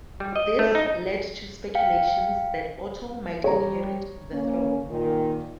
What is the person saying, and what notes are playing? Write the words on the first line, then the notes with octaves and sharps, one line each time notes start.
This led to speculations that Otto might inherit the throne.
G3
D#5
A3
D#4
F5 G5 C#7
G3 G4 C#5 A#5
A#3 C#4
A#2 D#3